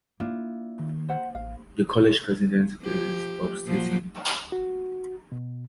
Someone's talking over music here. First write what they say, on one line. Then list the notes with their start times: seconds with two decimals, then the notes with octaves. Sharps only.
The college's president is Bob Staton.
0.20 A#3 D4 E4 F4
0.80 D#3
1.09 C5 F#5
1.35 A1 F5
2.82 F3 G4
3.65 A#2 F3 F#3
4.52 F#4
5.32 B2